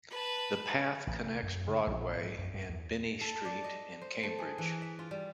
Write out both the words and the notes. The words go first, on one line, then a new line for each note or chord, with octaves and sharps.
The path connects Broadway and Binney Street in Cambridge.
B4 A5
A1
C3
F#2
C#3
A#1
G#2
F#2
F#2
E2
A4
D5
D#5
C5
A3
G#4
E3
E5
F4
G3